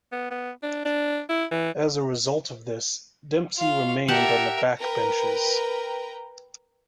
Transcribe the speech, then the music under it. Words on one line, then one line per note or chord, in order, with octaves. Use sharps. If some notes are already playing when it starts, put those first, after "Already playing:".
As a result of this Dempsey remained on the backbenches.
B3
B3
D4
D4
E4
E3
F4 F5
G4 A#4 E5 F#5 A5
A#4 B4 G5 A#5